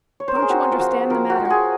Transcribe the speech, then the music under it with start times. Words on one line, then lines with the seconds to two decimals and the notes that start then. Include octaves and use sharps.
Don't you understand the matter?
0.20 C#5
0.28 C5
0.35 A#4
0.42 G#4
0.50 C4 F#4
0.72 F4
0.80 F3 F#4
1.10 F3 A#4
1.30 F#4
1.40 F3
1.45 F#4
1.50 G#4